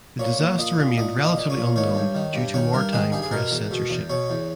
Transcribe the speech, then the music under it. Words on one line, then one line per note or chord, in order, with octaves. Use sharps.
The disaster remained relatively unknown due to wartime press censorship.
A#2 C#5
A#2
A#2 D#5
A#2
A#2 D#5
A#2
D#5
A#2
C#5
A#2
D#3 C#5
G2
D#3
G2
D#3 C#5
G2 A#4
D#3 G#4
G2 G#4
G#4
B2 A#4
E2
B2
E2
B2 C#5
E2